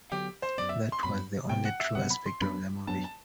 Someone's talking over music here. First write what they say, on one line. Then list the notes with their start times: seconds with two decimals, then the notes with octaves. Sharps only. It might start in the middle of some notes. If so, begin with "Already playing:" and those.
That was the only true aspect of the movie.
0.11 D3 F#3 B3 G4
0.42 C5
0.58 F#2 F#3 B3 D5
0.69 E5
0.92 C6
1.03 F#2 F#3 B3 B5
1.49 C3 F#3 B3 G5
1.65 F#5
1.80 E5
1.95 C3 F#3 B3 F#5
2.10 B5
2.26 C6
2.41 F#2 F#3 B3 D4 B5
2.87 F#2 F#3 B3 D4 A5
3.04 A5